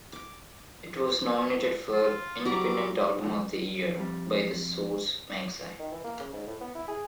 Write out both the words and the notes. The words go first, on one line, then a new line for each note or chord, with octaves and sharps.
It was nominated for "Independent Album of the Year" by "The Source" magazine.
D6
F4
F#3 G3 A#5 D6
F2 G3
D#3
E3
A#3
C#3
G#2
A2
B3
E4
G#4